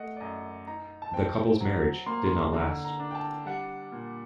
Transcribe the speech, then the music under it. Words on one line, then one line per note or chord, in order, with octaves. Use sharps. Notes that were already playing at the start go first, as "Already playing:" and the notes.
The couple's marriage did not last.
Already playing: A3 D#5 F#5
D5
F#2 D#5
D#4 A#5
A5
C4 G5
F#3
A#3 C6
C6
D3 A#5
A#5
D4
G5
A5
G3 F#5
A#2